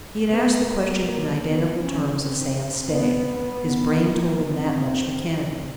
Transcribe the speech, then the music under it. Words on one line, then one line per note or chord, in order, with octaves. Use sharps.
He had asked the question in identical terms of Sam Stay--his brain told him that much, mechanically.
B3
A#3
A#3
B3
C#4
C4
B3
B3
A#3
C4